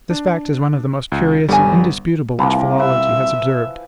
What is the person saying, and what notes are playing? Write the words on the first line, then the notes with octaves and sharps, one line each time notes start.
This fact is one of the most curious and indisputable which philology has observed.
D4
C#2
G1 D3 G3 A4 G#5
C2 E3 F3 A#3
B4 E5